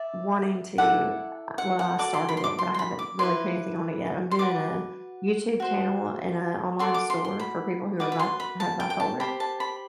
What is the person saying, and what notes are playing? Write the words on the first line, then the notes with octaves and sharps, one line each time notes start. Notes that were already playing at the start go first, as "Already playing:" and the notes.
wanting to, uh well, I started it, but I haven't really put anything on it yet, I'm doing a YouTube channel and a online store for people who are bi have bipolar.
Already playing: D5 E5
E4 A4 D5 F#5
F#5
F#5
F#4 A4 D5 D6
C6
B5
C6
D6
C6
C6
B5
D6
E4 B4 D5 C6
C6
F#4 B4 D5 D6
F#4 C5
F#4 A4 D5 C6
D6
C6
C6
B5
F#4 B4 D5 D6
B5
C6
B5
A5
G5
G5
A5
G4 C5 B5
A5
B5